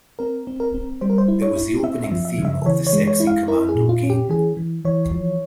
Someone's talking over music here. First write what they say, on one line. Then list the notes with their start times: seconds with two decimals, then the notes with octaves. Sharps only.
It was the opening theme of the Sexy Commando Gaiden.
0.19 C4 A#4
0.47 C4
0.60 A#4
0.74 C4
1.01 G3 C5
1.10 A#4
1.18 C5
1.28 E4
1.42 C#5
1.56 E4
1.83 C4 E5
2.04 E5
2.12 F3
2.25 E5
2.38 C#3
2.45 E5
2.66 E3 C#5
2.87 C#5
2.93 G#3
3.07 C#5
3.20 E4
3.27 F5
3.48 E4 A#4
3.69 G#4
3.75 A#2
3.89 F4
4.03 C#4
4.10 G4
4.29 E3 G#4
4.57 E3
4.85 E3 C#5
5.12 F3